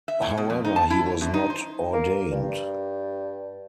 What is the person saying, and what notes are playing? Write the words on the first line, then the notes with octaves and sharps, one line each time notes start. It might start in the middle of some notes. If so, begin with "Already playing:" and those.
However he was not ordained.
E5
A2
B2
F2
D#4
A5
E4
C#5
F#2
D#4
C5
A#3
G2